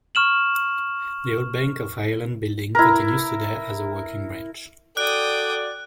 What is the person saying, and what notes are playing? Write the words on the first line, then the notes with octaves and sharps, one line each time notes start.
The old Bank of Ireland building continues today as a working branch.
C#6 F6 E7 F#7
E4 A#4
F#4 A4 D5 G5 D#6 F#6